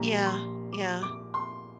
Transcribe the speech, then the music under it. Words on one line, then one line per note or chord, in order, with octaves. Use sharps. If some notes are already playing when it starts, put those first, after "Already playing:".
Yeah, yeah.
Already playing: A#1 A#2 G3 A#5
C6
D6
D6
C6